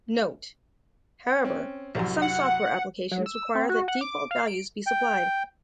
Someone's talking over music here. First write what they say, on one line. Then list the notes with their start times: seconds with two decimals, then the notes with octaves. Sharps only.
Note, however, that some software applications require that default values be supplied.
1.44 C4 C#4
1.95 C2 F#2
2.22 F#5
3.11 F#3
3.26 E6
3.55 C4
3.69 F#4
3.88 F#5
4.01 D6
4.31 F5
4.47 D7
4.86 G5